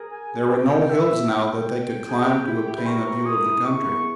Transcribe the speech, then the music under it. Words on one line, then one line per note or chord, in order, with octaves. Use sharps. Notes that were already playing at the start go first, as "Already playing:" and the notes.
There were no hills now that they could climb to obtain a view of the country.
Already playing: G#4 A#4
G#5
G5
E5
G5
G#4
G4
E4
G4
B4
A#4 C#6
A#4
G#4 D#6
E4
C#6
B3